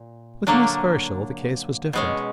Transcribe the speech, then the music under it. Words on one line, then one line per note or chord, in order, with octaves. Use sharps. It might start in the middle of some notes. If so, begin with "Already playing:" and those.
With Miss Herschel the case was different.
Already playing: A#2
D3 F#3 A#3 D4
B2 G#3 C#4